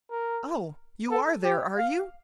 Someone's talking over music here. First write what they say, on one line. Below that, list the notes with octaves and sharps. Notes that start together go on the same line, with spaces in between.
Oh! you are there, are you?
A#4
A4
G4
F5